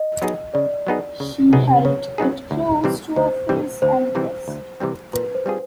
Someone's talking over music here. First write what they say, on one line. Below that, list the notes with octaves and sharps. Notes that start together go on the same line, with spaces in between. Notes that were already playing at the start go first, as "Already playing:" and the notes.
She held it close to her face and breast.
Already playing: D#5
F#3 B3 D#4 G#4
C#3 D5
F#3 B3 D#4 G#4
C#3
F#3 B3 D#4 G#4
C#3 C#5
F#3 B3 D#4 G#4
D2
C3 E3 G3 C4
D2 C5
C3 E3 G3 C4
D2 C5
C3 E3 G3 C4
D2
C3 E3 G3 C4
A#2 B4
C5
G3 C4 F4 G#4